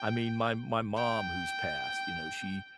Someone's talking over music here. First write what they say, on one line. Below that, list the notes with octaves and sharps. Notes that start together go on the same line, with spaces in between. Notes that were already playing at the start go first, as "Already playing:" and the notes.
I mean, my my mom who's passed, you know, she,
Already playing: G5
G5